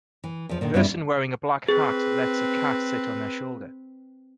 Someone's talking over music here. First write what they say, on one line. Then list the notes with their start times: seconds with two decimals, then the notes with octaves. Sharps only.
Person wearing a black hat lets a cat sit on their shoulder.
0.24 E3
0.49 E2 F3
0.61 A#2 D3 D#3
0.74 G2 C#3 E3 G3 B3 E4
1.69 C4 G#4 B4